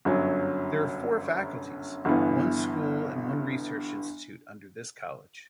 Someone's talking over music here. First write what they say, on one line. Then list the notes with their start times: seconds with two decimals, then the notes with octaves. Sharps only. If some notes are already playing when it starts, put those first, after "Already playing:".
There are four faculties, one school and one research institute under this college.
0.05 G1 F#2 F#3
2.05 G1 G2 E3 B3